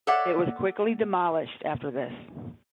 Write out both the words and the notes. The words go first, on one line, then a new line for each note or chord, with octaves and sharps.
It was quickly demolished after this.
A4 C#5 D5 E5 F#5